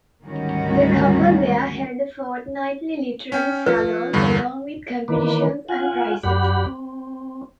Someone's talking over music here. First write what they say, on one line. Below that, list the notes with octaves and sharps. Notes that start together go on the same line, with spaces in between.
The couple there held a fortnightly literary salon along with competitions and prizes.
D2 G#2 D#3 G3 C#4 F#4
C#4 G5
F3 B4
E2 G2 D3
D#3 E3 A#3 B4 D5
F4 F#5 G#5
F#2 G4 D5 F#5 B5
C4